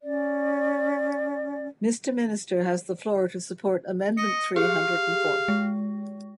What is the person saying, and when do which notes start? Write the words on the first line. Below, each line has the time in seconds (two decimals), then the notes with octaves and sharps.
Mr Minister has the floor to support amendment three hundred and four.
0.02 C#4 D5
4.17 D#5 C#7
4.56 G4 G#4 F5
5.48 G#3